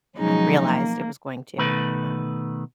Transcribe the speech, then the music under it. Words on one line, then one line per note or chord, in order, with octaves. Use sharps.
had realized it was going to, um
B2 F3 F#3 G#3 C#4 D#4
A#3
B2 D#3 A3 B4